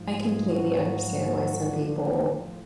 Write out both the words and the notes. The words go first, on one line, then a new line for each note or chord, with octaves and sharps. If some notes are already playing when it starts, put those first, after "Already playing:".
I completely understand why some people,
Already playing: G#2 F3
G#3 G#4
G#2 F3 F#3 F#4
A2 D3 F3 D4
F3